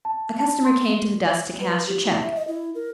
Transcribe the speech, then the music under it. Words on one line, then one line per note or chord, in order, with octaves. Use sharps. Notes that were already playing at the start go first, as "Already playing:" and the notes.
A customer came to the desk to cash a cheque.
A5
A5
C6
B4
G4
E4
E5
D#5
E4
A#4